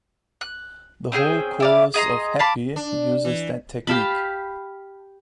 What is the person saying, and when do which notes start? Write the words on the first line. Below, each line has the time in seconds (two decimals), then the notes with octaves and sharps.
The whole chorus of "Happy?" uses that technique.
0.41 F#6
1.12 C4 C#4 G#4 G5
1.60 E4 D5 F5
1.94 G#4 D#5 A#5 C6
2.39 F5 A5 B5 D6
2.76 D4
3.25 E3
3.87 G4 F5 A5 B5